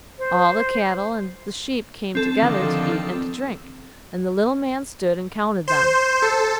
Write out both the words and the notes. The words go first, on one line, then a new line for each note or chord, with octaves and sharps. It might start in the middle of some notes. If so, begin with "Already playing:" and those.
All the cattle and the sheep came together to eat and to drink, and the little man stood and counted them.
C5
C4 A4
D3 D#3 F3
C5
A4